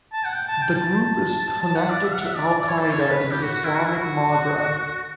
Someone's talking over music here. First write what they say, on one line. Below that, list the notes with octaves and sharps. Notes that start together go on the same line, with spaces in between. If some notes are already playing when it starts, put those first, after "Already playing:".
The group is connected to Al-Qaeda in the Islamic Maghreb.
A5
F#5
G5
A5
G5
A5
A5
F#5
D5
E5
F#5
E5
D5
D5
D5
C#5
A4
C#5
A4
B4
G4
F#4
F#4
E4
F#4
E4
F#4